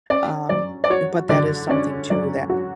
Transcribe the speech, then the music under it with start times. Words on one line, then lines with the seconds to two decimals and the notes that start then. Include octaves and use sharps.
um, uh, but that is something, too,
0.10 C#4 D5
0.49 F#3 D5
0.84 D5
0.90 F#4 C#5
1.29 D3 D5
1.69 C#4 D5
2.10 F#3 D5
2.50 F#4